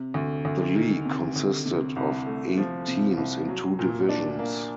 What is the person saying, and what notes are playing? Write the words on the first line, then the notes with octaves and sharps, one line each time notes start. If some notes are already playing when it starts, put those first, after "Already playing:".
The league consisted of eight teams in two divisions.
Already playing: C3
D2
D2
D#3
C3
D2
C3
C2
A3
F3
C3
C2
F#3
A#2
D4
A#3